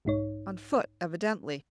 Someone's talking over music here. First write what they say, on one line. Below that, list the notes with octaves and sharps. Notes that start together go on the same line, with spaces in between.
On foot, evidently.
B1 G#2 D#4 C#5